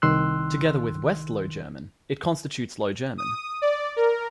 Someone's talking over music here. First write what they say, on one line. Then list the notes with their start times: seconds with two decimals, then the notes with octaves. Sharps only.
Together with West Low German, it constitutes Low German.
0.02 C2 D#3 C6 E6 F#6
3.18 D#6
3.62 D5
3.96 A#4